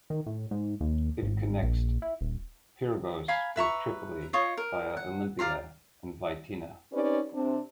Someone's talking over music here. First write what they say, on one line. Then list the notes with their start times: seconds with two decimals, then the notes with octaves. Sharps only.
It connects Pyrgos with Tripoli, via Olympia and Vytina.
0.10 D#3
0.26 A2
0.51 G#2
0.80 D#2
1.22 G#1
1.63 A#1
2.02 E4
2.21 D#1
3.28 F5 G#5 A#5 B5
3.56 B4 E5 A#5 C#6
4.33 F4 C#5 D#5
4.57 A#4
4.97 F#5
5.39 D5 F5 A#5 C6
6.93 C4 C#4 D#4 G4 B4 D5
7.33 C3 C4 D4